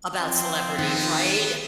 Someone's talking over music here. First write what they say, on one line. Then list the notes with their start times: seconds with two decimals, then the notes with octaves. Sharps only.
about celebrities, right?
0.20 F3 C4
0.78 D#3 B3